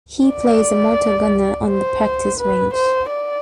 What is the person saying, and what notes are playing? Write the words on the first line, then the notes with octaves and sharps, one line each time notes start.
He plays a mortar gunner on the practice range.
D5
C5
B4
C5
D5